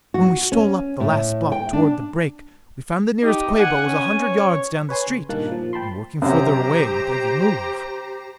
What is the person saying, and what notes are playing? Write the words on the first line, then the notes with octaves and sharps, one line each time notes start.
When we stole up the last block toward the break we found the nearest Quabo was a hundred yards down the street--and working further away with every move.
F#4
C#4
A2
G5
D4
D#4 G4
F#5 G#5
C#4 G#5
C#5
B4 C#5 G#5 C6
C#3
G2 A#2 D#3 A#3 A5 F#6
A#2 F3
G5 A5 B5 C6
F#2 C3 G4 C5 A#5